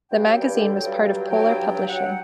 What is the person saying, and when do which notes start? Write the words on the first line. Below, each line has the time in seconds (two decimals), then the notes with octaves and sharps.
The magazine was part of Polar Publishing.
0.11 G2 G5
0.27 F#3
0.40 G2
0.55 D3
0.70 F#3
0.85 G2
1.00 G2
1.14 F#3
1.29 F#3 G5
1.44 G2
1.59 G2
1.74 F#3
1.88 F#3 F#5